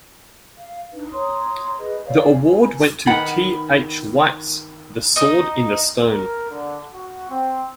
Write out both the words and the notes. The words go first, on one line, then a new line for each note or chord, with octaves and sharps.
The award went to T. H. White's "The Sword in the Stone".
F5
D4 D#4 B4
C#5 A#5 C6 D#6
G#4 B4 D#5
C#5 D5 F5
G#5
D#3 B3 F#5 B5
D#4 D#5
A#4
D3
F#4
C4